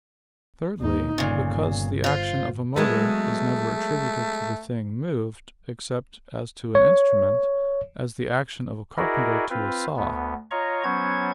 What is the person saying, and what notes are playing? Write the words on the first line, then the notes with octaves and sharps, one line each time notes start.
Thirdly, because the action of a motor is never attributed to the thing moved, except as to an instrument; as the action of a carpenter to a saw.
D#2 D#4
G1 A#2 C#3
F4 C5
F#3 G#3 A3 B3
C#5
E4 F#4 G#4 A#4 D5 D#5
C4 F4 B4
D2 B3
F4 C#5 D#5 A#5 C#6
F#3 B3 C#4 C5 C#6 G#6